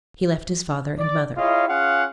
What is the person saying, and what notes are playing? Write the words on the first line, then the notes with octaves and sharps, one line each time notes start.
He left his father and mother.
D5
E4 F4 G#4 C#5 D#5 F5
C#4 F4 G#4 F5 F#5